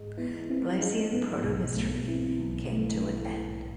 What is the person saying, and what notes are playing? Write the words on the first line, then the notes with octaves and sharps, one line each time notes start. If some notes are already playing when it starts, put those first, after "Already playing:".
Lycian proto-history came to an end.
Already playing: G#2 G#3
E3 B3
E3 C4
G#3 C#4
G#2 B3
B1
B1 A3
E3 C4
B1
E3 A3
E3
A2